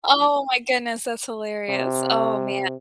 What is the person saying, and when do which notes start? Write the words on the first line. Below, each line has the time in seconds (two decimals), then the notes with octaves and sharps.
Oh, my goodness, that's hilarious, oh, man.
1.69 C3